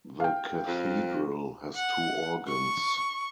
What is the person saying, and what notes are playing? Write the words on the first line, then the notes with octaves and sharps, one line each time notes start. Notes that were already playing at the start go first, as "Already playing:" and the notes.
The cathedral has two organs.
F5 G5
F2
F#5
C#6